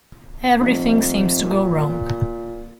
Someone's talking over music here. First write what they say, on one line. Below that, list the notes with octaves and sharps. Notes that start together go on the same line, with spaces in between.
Everything seems to go wrong.
F1
A#2